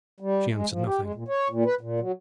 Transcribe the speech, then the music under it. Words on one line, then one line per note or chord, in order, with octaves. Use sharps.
She answered nothing.
G3
G#3
F3
G4
G#3
A#2
C#5
A#2
B4
A#2
F#3